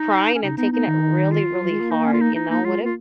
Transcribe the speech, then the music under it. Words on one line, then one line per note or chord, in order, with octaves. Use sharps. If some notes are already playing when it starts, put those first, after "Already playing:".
crying and taking it really, really hard? You know? What if
Already playing: D#4
C#4
C#3 D#4
B3 D#4
B3 D#4
D#3
F4
F#3
G#3
A#3
D#4
C#4
F4
D#4
D#4
A#3 D#4
G#3 F4
A#3
F4